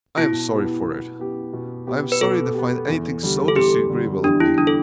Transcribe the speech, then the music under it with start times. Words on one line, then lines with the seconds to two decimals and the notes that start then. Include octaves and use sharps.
I am sorry for it; I am sorry they find anything so disagreeable in me.
0.18 B2 E4
0.52 B3 G4
0.86 B2
1.19 B3 G4
1.53 B2
1.87 B3 G4
2.12 B4
2.21 B2 A4
2.54 B3 G4
2.88 E2
3.23 D3 G3
3.48 A4
3.56 E2 G4
3.90 D3 G3
4.24 E2 D4
4.40 E4
4.58 D3 G3 D4
4.67 A4